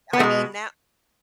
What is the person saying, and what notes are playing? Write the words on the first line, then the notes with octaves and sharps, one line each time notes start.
I mean that
B3
B2 G#3 A3